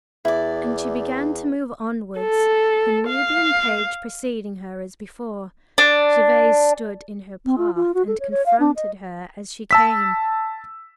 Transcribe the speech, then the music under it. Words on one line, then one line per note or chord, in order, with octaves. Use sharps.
And she began to move onwards, her Nubian page preceding her as before. Gervase stood in her path and confronted her as she came.
E2 E4 D5
A4
F5
D4
C4
F4
F4
F#4
A4
C#5
C#5
F5
D4
D#5
A5 E6 B6